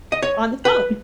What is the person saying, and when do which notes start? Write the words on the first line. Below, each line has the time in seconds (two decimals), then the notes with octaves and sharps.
on the phone.
0.12 D#5
0.23 C#5
0.65 B4